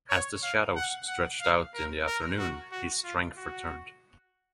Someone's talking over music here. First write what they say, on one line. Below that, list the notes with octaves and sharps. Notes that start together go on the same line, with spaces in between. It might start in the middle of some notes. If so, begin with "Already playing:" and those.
As the shadow stretched out in the afternoon, his strength returned.
C#5
F5
F#5
F#5
F5
A#4
A#4
F#4
F#4
F4
F#4